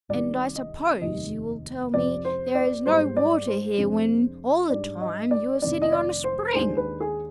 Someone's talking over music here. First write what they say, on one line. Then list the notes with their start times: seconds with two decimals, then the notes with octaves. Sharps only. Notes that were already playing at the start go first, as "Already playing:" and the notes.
"And I suppose you will tell me there is no water here, when all the time you are sitting on a spring."
0.09 C2 C3 D#3 D5
0.55 D#5
1.01 F1 D#2 D#3 D#5
1.94 F2 C3 F3 D5
2.25 C5
2.55 D5
2.86 G#2 G3 B3 C5
3.17 D5
3.47 C5
3.78 F2 C3 F3 G#3 D4
4.70 G#2 G3 D4 D5
5.01 D#5
5.31 D5
5.62 F1 F2 D#3 B3 D4 D5
5.82 D#5
5.92 D5
6.24 C5
6.54 D#2 D#3 G#3 D4 C5
6.77 B4
7.00 G#4